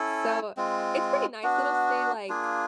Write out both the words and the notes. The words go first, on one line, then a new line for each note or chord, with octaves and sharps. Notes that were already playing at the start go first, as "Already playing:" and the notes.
so, it's pretty nice. It'll stay, like
Already playing: C#4 E4 A4
G#3 C4 F4
B3 D4 F#4
A#3 D4 F4 G#4